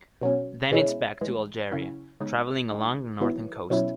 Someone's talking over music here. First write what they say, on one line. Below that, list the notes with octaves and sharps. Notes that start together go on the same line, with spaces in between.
Then it's back to Algeria, travelling along the northern coast.
B2 F#3 C#4
B2 G#3 C#4 E4
A2 E3 G#3
C#3 F#3 C#4 E4
C#3 G#3 B3 D#4
D#3 G#3 D#4
D#3 F#3 B3 E4
B2 F#3 C#4 E4